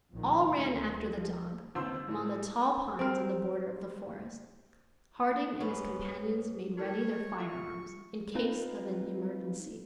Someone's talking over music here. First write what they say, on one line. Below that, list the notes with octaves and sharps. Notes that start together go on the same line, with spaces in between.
All ran after the dog, among the tall pines on the border of the forest. Harding and his companions made ready their firearms, in case of an emergency.
A#1 A#2 D#3
D2 C3
F3
G1 D#2 C4 C5 C6 E6
A2
C4 A#4
G#2 B3 C#4 B5
G3 E4 A4 A#4 C#5 A5
F4 E5 C#6
C4 D#4 F4 B4